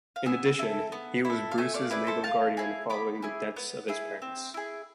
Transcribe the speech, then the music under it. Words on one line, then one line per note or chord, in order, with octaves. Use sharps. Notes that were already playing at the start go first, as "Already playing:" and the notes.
In addition, he was Bruce's legal guardian following the deaths of his parents.
F5
B3 E5 G#5
E4 A4
B3
E4
A4
F5
A3 E5 G#5
D5 F5
E4 G#4 B4 D5
A4 C5
A3 F5 A5
E4 G#4
B3 B5 D6
E4 G#4
B3
E4 G#4
C4
E4 G#4